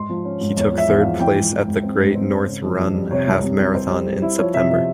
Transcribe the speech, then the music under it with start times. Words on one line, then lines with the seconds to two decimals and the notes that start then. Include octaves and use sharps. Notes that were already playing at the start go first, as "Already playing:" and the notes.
He took third place at the Great North Run half marathon in September.
Already playing: G#2 C6
0.10 F3
0.25 C#4
0.41 G#2
0.57 E2 C#5
0.73 F3
0.78 E5
0.88 E2
1.00 F5
1.05 F3
1.20 E3 G5
1.36 G#2
1.52 E3
1.68 G#2
1.83 C4
2.00 G#2
2.15 C4
2.31 G#2
2.48 C#3
2.63 F2
2.79 F2
2.95 G3
3.11 C3 C#5
3.27 C2
3.43 C2
3.59 C2
3.74 C4 C5
3.90 G3
4.06 G3
4.22 E4
4.38 F3 C#5
4.54 C3 E5
4.70 F3 E5